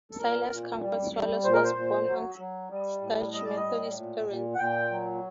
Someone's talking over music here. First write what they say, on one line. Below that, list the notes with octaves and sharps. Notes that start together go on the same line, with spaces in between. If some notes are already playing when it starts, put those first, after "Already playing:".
Silas Comfort Swallow was born of staunch Methodist parents.
A4
A#2 A#4
A#2
G3
G3
A#2 C5
A#4
C5
A#2
F#3
F#3
G3
A2
G3 D#5
D5
D#5
A2
A#2
A#2
F#5
A#2 G5
F#3